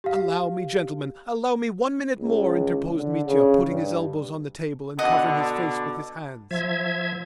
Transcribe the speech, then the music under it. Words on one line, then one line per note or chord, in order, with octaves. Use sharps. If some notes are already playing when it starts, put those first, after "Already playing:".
"Allow me, gentlemen, allow me one minute more," interposed Mitya, putting his elbows on the table and covering his face with his hands.
G4 F5
C#2
D3
C#3
G2
B2 D3 D#5 F#5
F3 E5 G#6